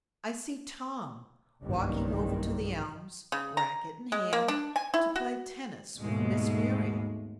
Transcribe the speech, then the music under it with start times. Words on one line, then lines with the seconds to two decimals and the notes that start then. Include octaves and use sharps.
I see Tom walking over to the Elms, racket in hand, to play tennis with Miss Muriel.
1.62 F#1 B1 G2 D#3
3.32 C#3
3.57 A#5
4.12 G#3
4.33 A#3
4.48 D4
4.76 G#5
4.94 E4
5.16 F#4
6.00 D#2 G#2 B2 G#3 A3